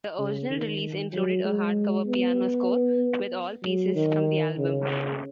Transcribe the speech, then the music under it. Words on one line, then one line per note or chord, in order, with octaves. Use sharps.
The original release included a hard-cover piano score with all pieces from the album.
C#3
D#3
F#3
G#3
B3
F#3
D#3
C#3